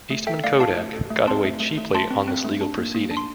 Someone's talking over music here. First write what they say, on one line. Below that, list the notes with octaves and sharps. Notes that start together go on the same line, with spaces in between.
Eastman Kodak got away cheaply on this legal proceeding.
A3
A4 E5 G5
A3 D5 F5
E4 F5 A5
A3
A4
A3
C4 A5 C6
A3
A3
A3
A3 A5 C6
C4
C4
A3
D4
A#3
A#3
D4
C6